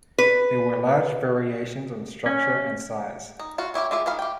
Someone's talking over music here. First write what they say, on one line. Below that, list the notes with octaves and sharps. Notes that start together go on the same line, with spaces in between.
There were large variations in structure and size.
B4
C#4
D#4
F4 F#4
C#4 E4 G4 G5
G#3 F4 G4 E5
D#3 G#3 F5 B5
G4 G5